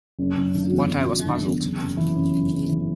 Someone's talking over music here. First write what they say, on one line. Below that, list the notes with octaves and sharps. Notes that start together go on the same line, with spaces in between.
But I was puzzled.
F#1
F#1
D3
E2
F#1
F#1
D3
E2
F#1
F#1
E3
F#2
F#1
F#1
E3